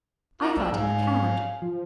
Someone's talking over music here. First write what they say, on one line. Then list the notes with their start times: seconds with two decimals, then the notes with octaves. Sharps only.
I thought him a coward.
0.41 F4 A#4 F#5
0.57 C2 D5 E6
0.72 G#2 F5 G#5
1.62 F3